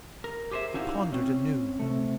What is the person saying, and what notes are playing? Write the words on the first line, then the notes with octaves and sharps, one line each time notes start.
He pondered anew.
A#4
G4 G#4 C5 C#5 E5
C#4 D#4 E4 F#4 G4 F5
C4 C#4
C3 A3